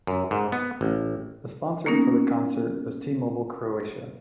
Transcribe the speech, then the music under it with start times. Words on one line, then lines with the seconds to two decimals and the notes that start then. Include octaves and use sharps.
The sponsor for the concert was T-mobile Croatia.
0.07 F#2
0.31 G#2
0.52 B3
0.81 A1
1.86 A#3 B3 C#4 D#4 A#4